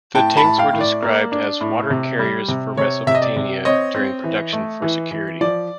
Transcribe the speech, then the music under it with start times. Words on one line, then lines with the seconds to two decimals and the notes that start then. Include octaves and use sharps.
The tanks were described as "Water carriers for Mesopotamia" during production for security.
0.15 A2 G5 A5
0.37 A5 B5
0.44 A2
0.58 F5 G5
0.73 A2
0.81 D5
1.03 A#3
1.32 D4
1.61 A2
1.90 C3
2.19 G3
2.48 C3
2.77 C3 C#5
3.07 C3 E5
3.15 D#5
3.22 D5
3.36 C3
3.65 C4 C#5 D#5
3.95 C4
4.24 E3
4.53 A3
4.82 E3
5.11 E3
5.41 F3 D5